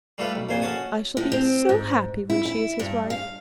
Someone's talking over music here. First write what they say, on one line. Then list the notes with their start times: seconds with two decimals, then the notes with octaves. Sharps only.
I shall be so happy when she is his wife.
0.18 G3 A3 F4 A4 B4
0.36 B1
0.49 A#1 F2 A#2 C5 G#5 C6
0.62 C#4 F#4 A5 C#6 D#6
1.17 A2
1.32 C4
1.69 G#2
2.30 E4
2.45 E4
2.79 G2
3.10 F5